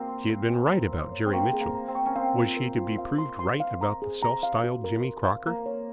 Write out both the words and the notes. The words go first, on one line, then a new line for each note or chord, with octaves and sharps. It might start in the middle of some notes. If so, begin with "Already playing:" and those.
She had been right about Jerry Mitchell; was she to be proved right about the self-styled Jimmy Crocker?
Already playing: A#3 C4 F#4
C6
C6
G#5
F#4
C#5
C#5
C4
A#3 C#6
G#4
A#3
A#5
C4
C#6
C#4
C4 F5
F4
A#4
F4
F5
C6
C6
F5
A#5
G#4
A#5
F5
F#4
A#4
A#4
F5
A#3 A#4
C#5